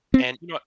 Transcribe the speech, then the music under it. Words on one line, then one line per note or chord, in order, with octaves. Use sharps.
And, you know what?
C4